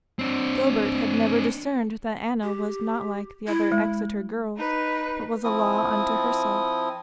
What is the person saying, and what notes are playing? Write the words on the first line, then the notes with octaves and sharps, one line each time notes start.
Gilbert had never discerned that Anna was not like the other Exeter girls, but was a law unto herself.
C4 D4
G4
E4
G#3
D#4 B4
F3 C4 E4 D#6